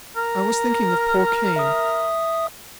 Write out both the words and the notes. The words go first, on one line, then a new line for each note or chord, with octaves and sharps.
I was thinking of poor Cain.
A#4
E5 D#6